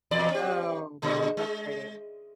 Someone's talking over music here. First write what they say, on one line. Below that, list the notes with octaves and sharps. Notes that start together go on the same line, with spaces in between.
Oh, how frustrating.
E2 B2 D5
C4 G4
A#2 D3 G#3
G#3